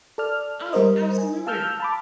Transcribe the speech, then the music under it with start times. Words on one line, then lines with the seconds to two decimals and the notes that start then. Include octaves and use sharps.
Oh, absolutely.
0.18 A4 D5 F6
0.73 G3 A#4 C5 D#5
1.18 G#5
1.46 F5 A5 E6 F6 G6
1.80 A5 B5 D6